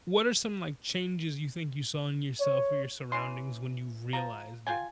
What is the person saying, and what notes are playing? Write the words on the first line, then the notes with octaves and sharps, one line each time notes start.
what are some, like, changes you think you saw in yourself or your surroundings when you realized it?
C#5
E3 C#4 C6
F3 A#5
F4 G4 G5 G#5